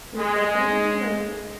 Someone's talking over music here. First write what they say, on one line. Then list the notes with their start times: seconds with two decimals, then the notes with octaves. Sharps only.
There's definitely, like,
0.18 G#3